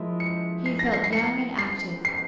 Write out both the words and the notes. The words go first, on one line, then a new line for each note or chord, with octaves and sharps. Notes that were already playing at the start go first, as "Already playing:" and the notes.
He felt young and active.
Already playing: F3 G#3 E4 A#4
C#7
C7
A#6
C7
C7
C#7
C7
C7